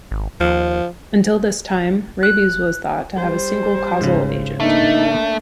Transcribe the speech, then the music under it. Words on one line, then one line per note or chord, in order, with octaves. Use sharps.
Until this time, rabies was thought to have a single causal agent.
G#1
D#2 F3
F#6
G3 C5
G#2 C#3
A3 A#3 D4 D#4